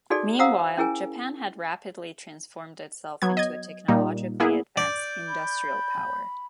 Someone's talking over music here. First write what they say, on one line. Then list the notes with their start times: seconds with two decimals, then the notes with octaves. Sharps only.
Meanwhile, Japan had rapidly transformed itself into a technologically advanced industrial power.
0.10 D#4 F#4 G#4 A4 D5
0.39 C5 F5 F#5 A#5 D#6 E6
0.77 C#4 E4 G#4 A#4 G#5
3.22 F#3 B3 G#6
3.37 D#5 G#6
3.88 A#2 G3 A#3 D#4
4.40 A#3 B3 E4 G#4
4.77 D5 G6
5.28 B5